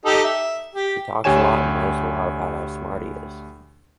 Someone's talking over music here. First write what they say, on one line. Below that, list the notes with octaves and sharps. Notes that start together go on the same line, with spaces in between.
He talks a lot and knows a lot about how smart he is.
D#4 G4 A4
E5
G4
D2 G4 C#5 G#5 E7